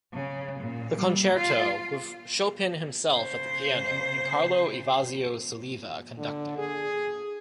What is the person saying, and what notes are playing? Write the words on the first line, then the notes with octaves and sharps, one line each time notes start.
The concerto, with Chopin himself at the piano and Carlo Evasio Soliva conducting.
C#3
A#2
G3
F4
C#3 C5
D3
G#4